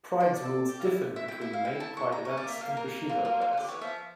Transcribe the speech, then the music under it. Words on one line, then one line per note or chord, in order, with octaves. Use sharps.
Pride's rules differed between main Pride events and Bushido events.
D5
A4
G4
F4
E4
E4 E5
G5
E5
F5
G5
A5
C#6
A#5
C#4 C#5
D5
A#3 E5
A#3 F5
A#4
F4
F4
F4
C#3
D3 G4
E3 C#5
F3 E5